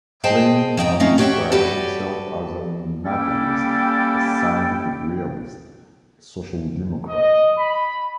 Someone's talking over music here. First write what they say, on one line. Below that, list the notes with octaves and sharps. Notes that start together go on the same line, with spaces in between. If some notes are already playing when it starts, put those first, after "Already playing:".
Flynn has described himself as an "atheist, a scientific realist, a social democrat".
G#4 C5 D#5 G5 A5
F2 D#4 G5 A#5
A3 C4 C#4 D#4 F4
F#4 G4 C#5 D5 E5 G5
F#4 G4 A4 B4 D5
G3 A#3 C#4 E4 A4 G5
D#5
B5